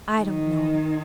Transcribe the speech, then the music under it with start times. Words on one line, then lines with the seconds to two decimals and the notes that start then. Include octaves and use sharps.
I don't know.
0.19 D#3